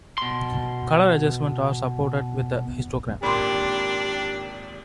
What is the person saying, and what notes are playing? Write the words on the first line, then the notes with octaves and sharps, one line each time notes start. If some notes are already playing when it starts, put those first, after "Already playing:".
Color adjustments are supported with a histogram.
B2 C6
G#1 A#2 D4 G4 B5 C6 D6